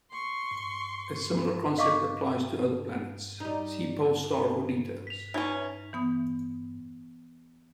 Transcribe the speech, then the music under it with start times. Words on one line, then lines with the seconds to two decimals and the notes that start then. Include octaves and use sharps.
A similar concept applies to other planets; see pole star for details.
0.12 C6 C#6
1.78 D#5 F5 C#6 D6
3.40 G3 D#4
5.07 B6 F7
5.34 E3 C#4 D#4 D5 A#5
5.93 E3 B3 D#6